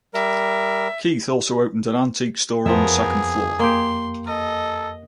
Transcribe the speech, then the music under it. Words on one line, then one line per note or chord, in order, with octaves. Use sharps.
Keith also opened an antique store on the second floor.
G3 A#4 E5
F2 F3 B3 G#4 A#4 E5
A#3 G4 C6
A4 D#5